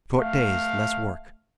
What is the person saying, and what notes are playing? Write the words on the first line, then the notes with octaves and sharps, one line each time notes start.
Short days, less work.
A3 F5